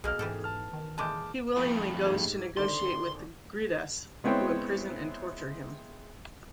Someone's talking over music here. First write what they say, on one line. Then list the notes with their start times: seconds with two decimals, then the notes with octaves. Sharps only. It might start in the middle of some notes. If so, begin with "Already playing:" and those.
He willingly goes to negotiate with the Griddas, who imprison and torture him.
0.04 B1 B2 A#3 G#4 F6
0.19 G#2 E3 G4 A4
0.44 A5 F6
0.73 D#3
0.98 A#2 E3 G#3 A5 D6 G6
1.56 F2 A2
2.05 G#2 G4 G#6
2.57 G#1 D3 D5 C6
4.24 G#3 B3 C4 E4 C#5 G5